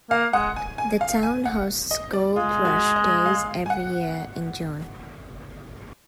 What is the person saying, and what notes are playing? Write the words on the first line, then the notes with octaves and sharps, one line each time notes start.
The town hosts Gold Rush Days every year in June.
A#3 F5
G#3 F#5
G#5
G#5
F5
G#5
F#5
D#5
D5
G#3 F4
F#4
D#5
F5
G#5
F#5